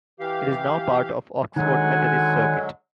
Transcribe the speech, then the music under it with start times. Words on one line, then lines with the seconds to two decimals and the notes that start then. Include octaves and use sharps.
It is now part of Oxford Methodist Circuit.
0.20 E3 G4 F5
1.56 D3 D#3 F#3 G#3 F#5 G#5